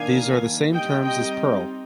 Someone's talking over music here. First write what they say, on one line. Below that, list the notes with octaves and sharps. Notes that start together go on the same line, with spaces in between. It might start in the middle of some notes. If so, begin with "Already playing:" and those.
These are the same terms as Perl.
Already playing: D#3 A#3 D4 F5 G#5
G3 C4 D#4 D#5 G5
D#5 G5